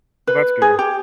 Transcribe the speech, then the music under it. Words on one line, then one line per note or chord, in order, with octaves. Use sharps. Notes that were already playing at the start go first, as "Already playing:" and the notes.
Oh, that's good.
B4
G#4
G4